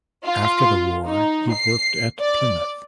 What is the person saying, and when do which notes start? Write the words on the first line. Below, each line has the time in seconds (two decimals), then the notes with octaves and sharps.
After the war he worked at Plymouth.
0.24 F4
1.07 D#4
1.52 C7
2.21 D5